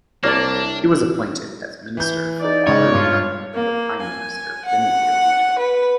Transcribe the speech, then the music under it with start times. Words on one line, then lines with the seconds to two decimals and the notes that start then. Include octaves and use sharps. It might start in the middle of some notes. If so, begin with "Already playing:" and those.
He was appointed as Minister for Water and Power under Prime Minister Benazir Bhutto.
0.24 C2 A#3 D4 C#5 D5 A5
1.97 E3 G6
2.41 D#4 D5
2.67 G#2 C#3 C#5 D#5
2.93 G2 F4
3.55 A#3
4.02 G#5
4.66 F#5
5.58 B4